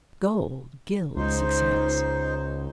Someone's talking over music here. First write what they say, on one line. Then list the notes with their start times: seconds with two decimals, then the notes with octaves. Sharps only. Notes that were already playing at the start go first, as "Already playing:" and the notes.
Gold gilds success.
1.16 C#2 D#4 C5